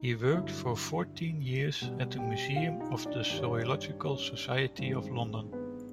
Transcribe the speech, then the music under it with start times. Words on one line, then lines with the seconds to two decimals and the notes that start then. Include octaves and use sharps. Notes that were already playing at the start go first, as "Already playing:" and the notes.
He worked for fourteen years at the museum of the Zoological Society of London.
Already playing: D#4
0.33 G2 D3 F#3 E4 E5
1.82 B2 G3
2.18 G4 G5
2.56 F4 F5
2.80 D#4 D#5
3.05 D4 D5
3.30 G2 D#3 G3 D5
3.38 C#5
3.46 D4 D5
4.04 C#4 C#5
4.78 G2 D#3 G#3 C4 C5
5.52 B3 B4